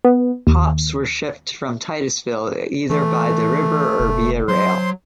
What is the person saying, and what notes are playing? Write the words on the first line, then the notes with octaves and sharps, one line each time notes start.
Hops were shipped from Titusville either by the river or via rail.
B3
D#2
E3 A3
F1
F#3 C5 C6